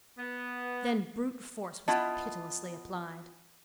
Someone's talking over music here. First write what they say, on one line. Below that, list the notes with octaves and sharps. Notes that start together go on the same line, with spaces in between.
Then brute force was pitilessly applied.
B3
B3 E4 F4 D#5 A5